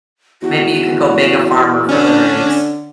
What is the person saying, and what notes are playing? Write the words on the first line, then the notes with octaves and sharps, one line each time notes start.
Maybe you can go beg a farmer for their eggs,
E2 F#4
D3 C#4 D4